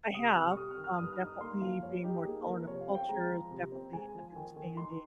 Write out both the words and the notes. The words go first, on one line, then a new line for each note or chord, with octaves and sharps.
I have, um, definitely being more tolerant of cultures, definitely understanding
C3 D#6
C3 F6
C#6
G3 D#6
F6
D#3
F6
G2 D#6
F6
D#4
D#6
A#3 C6
F3 F5
G2 C#5
D#4 G4
A#3 G#4
F3 A#4
C3 C#5
F5
C4
G5
G#3 A#5
F3
C3
C4
G#3 G#5
F3
D#3
D#3
D#4 C6